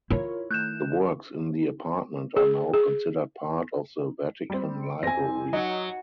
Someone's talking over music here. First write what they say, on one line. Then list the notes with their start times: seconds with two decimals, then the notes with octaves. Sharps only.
The works in the apartment are now considered part of the Vatican Library.
0.10 E4 F4 A#4 C#5
0.51 D#3 A3 F#6 G6 E7
2.37 G#4
2.74 G#4
4.50 G3 C4
5.03 F2 C4 G#5 A#6
5.53 F#3 D#4